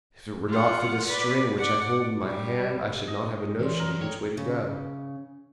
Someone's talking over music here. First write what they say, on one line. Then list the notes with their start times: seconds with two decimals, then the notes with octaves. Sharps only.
"If it were not for this string which I hold in my hand I should not have a notion which way to go."
0.48 F4 F#5
1.05 B4 D5
1.58 D5 F#5
2.23 G3
3.08 D#5
3.59 E2 C#5 D5 C6
3.79 A#4
4.01 A4 C#5 G5
4.37 C#3